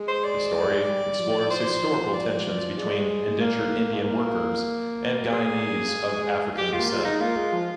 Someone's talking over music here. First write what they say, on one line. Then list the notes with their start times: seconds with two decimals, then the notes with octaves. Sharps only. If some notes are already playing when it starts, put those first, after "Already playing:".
The story explores historical tensions between indentured Indian workers and Guyanese of African descent.
Already playing: G#3
0.08 C5
0.24 D5
0.87 G3
1.19 F3
1.40 D5
1.50 C5
2.14 D5
2.77 G#3 D5
3.41 A#3
3.94 G#3
4.04 A#3
5.31 G#4
5.90 G3
5.94 G#3
6.58 G#3 G4
6.73 F4
6.79 A#3
6.89 F4
6.99 G#3
7.05 D#4
7.20 A#3 F4
7.36 G#3
7.52 F3